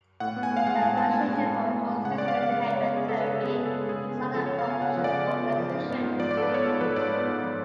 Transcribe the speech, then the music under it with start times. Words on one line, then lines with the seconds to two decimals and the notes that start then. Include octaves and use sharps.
The Association for Contextual Behavior Therapy is another professional organization.
0.20 A2 F#5
0.36 B3
0.43 G#5
0.51 A2
0.57 F5
0.66 G#3 F#5
0.75 A5
0.82 A2 G#5
0.97 B3 A5
1.13 A2 G#5
1.29 G#3
1.35 G#5
1.43 A2
1.58 B3
1.74 A2
1.89 G#3
2.05 C#3 F#5
2.18 B3 D5
2.28 F5
2.36 C#3 F#5
2.43 F5
2.51 G#3 D5
2.66 C#3
2.74 C#5
2.82 B3
2.97 C#3 G#4
3.08 A4
3.12 G#3
3.20 B4
3.27 C#3
3.43 B3 G#4
3.58 C#3
3.66 A4
3.74 G#3
3.89 C#3 G#4
4.04 B3
4.20 C#3
4.35 F3 A4
4.46 C#5
4.50 C#3
4.59 F5
4.66 B3 G#5
4.81 C#3 F#5
4.97 F3
5.04 D5
5.12 C#3
5.27 B3
5.43 C#3
5.58 F3
5.74 G#2
5.89 B3
6.04 G#2
6.19 F3 D5
6.31 D5
6.35 G#2 A4
6.42 B4
6.51 B3 C#5
6.66 G#2 A4
6.81 F3 B4
6.96 G#2 D5
7.12 B3
7.27 G#2
7.42 F3